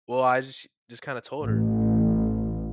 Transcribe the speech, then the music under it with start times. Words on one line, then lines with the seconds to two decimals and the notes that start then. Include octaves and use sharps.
Well, I just just kinda told her
1.44 A1